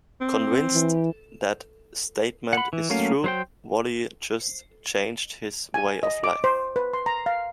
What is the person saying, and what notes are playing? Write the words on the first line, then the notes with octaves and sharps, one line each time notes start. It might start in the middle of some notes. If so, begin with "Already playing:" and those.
Convinced that statement is true, Wally just changed his way of life.
C4
E3
F#5 B5
E3
F#3 A3 A#3 C#4 F5
F#3 C5 G5
G#5
D#5
D6
C5
B4
C6
A#5
F5